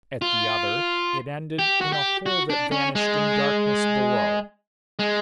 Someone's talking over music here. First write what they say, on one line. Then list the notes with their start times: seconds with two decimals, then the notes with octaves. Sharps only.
At the other it ended in a hole that vanished in darkness below.
0.22 F4
1.59 G4
1.81 F#4
1.92 G4
2.26 F#4
2.50 D4
2.72 C#4
2.95 G#3
4.99 G#3